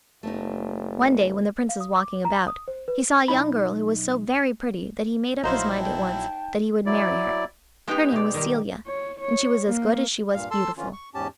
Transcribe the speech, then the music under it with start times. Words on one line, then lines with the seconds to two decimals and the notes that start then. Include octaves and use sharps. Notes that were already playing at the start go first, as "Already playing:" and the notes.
One day, when the Prince was walking about, he saw a young girl who was so very pretty that he made up his mind at once that he would marry her. Her name was Celia, and she was as good as she was beautiful.
0.23 F#1 A3 B3 D#4
1.69 F5
1.80 D#6
1.97 D6
2.25 A#5
2.48 D#6
2.68 C5
2.88 B4
3.28 B1 D#4 E4 B5
5.44 A#1 F#3 D#4 E4 C5 D#5 F5 C6
5.79 G5 A5
6.86 F#3 E4 D5
7.87 G#3 B3 D#4 F#4 G4 G5
8.12 B2 D5
8.34 D#3 G3
8.87 C#5
9.20 C#5
9.67 A#3
10.34 G2 A#2 F5
10.51 A4 A5 C6 E6
10.77 D3 E3 C#4 F4
10.93 C#6
11.14 E2 G#2 C#4 G4 A5